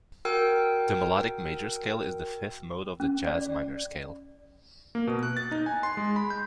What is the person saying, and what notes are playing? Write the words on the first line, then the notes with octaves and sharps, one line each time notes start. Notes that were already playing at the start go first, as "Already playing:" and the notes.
The melodic major scale is the fifth mode of the jazz minor scale.
F#4 A#4 G5 E6
C#4
D5
A#3
B2
F#6
A6
D#4
G#5
C6
G#3
B5
G6